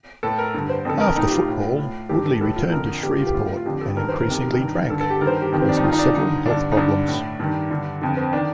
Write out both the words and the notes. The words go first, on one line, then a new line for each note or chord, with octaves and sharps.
After football, Woodley returned to Shreveport and increasingly drank, causing several health problems.
A2 A4
A#4
G2 D3
C5
F2 D3 A4
A#4
A2 D#4
G4
F4
A2
A2
G2 D#3 G4
A4
G4
A2 A4
F4
F2 D3 A#4
G2 D3 G4
F4
G4
A2 F4
F4
F2 D3 G4
A4
G2 D#3 A#4
C5
A#4
F2 C3 D#3
G2 D#3
G2 D3 A4
A4
G4
G2 D#3 A#4
C5
A#4
G4
F2 D#3
C4
D4
D#4
G2 D#3 F4
D#4
D4
G2 D3 D#4
G2 D3 D4
D#4
G2 D3 D4
A2
G2 D#3
G2 D3
F2 D3
C4
D#3 D4